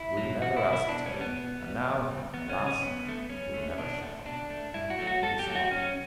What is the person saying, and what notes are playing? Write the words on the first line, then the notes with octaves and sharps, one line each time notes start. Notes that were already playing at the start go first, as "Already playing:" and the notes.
We never ascertained, and now, alas! we never shall, at least not yet.
Already playing: E4
B2 F#3
E2 F#4
E4
B2 F#3
E4
B2 D4
C#4
G3
B3
B2
G3
E2
C#3 G3
E2 B3
C#4
C#3 G3
C#4
F#2 B3
D3 A3
F#2 C#4
D3 A3
B2 D4
A3
B2 D4
A3
G2 E4
F#4
F#3 A3
F#4
G2 A4
G4
F#3 A3
F#4
F#2 C#4